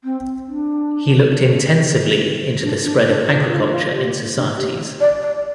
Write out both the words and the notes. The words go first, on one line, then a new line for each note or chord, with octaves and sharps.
He looked intensively into the spread of agriculture in societies.
C4
D4
D4
D4
D4
D4
F4
D4
F4
G4
D4
G4
D5
D5